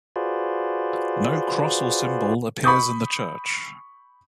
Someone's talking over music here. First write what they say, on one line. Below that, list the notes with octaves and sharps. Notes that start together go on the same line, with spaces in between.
No cross or symbol appears in the church.
F4 F#4 G#4 B4 C5 D5
B5 C#6 D#6 G6